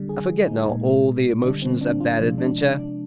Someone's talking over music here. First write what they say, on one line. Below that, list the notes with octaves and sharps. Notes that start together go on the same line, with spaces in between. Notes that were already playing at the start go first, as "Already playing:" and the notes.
I forget now all the emotions of that adventure.
Already playing: D3 G3
G#4
D#4
A#2 G#3
D3 G3 D4
C4
D4
F4
C3 F3 G#3 D4
D4
D4
D4